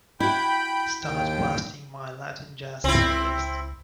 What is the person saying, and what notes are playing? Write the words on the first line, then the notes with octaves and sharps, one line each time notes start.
Start blasting my Latin Jazz playlist.
E4 F#4 G5 B5 G6
D#2 D#3 G5
C#2 C4 E4